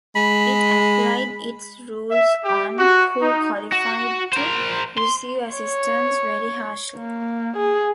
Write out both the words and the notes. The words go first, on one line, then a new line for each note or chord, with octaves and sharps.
It applied its rules on who qualified to receive assistance very harshly.
G#3 B5
E5
G4
F#4
D#4
F#4
A#4 C5
C6
C#5
A#3
G#4